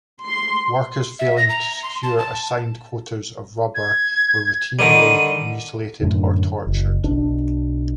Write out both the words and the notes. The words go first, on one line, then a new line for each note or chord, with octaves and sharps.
Workers failing to secure assigned quotas of rubber were routinely mutilated or tortured.
C6
E5
A#6
A#5
C6
A5
A5
G#6
D3 D#3 G3 D#7
F#2 A2 D3
F#1
B1 D4